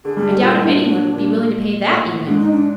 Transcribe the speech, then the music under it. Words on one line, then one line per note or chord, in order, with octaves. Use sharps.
I doubt if any one would be willing to pay that, even.
D3 G#4
G2 G3 G#4
G4
A3
A#2 A#3 F4
E4
D4
D4
A#2 A#3 D4
A2 A3
G#2 G#3 D4
D#4
D4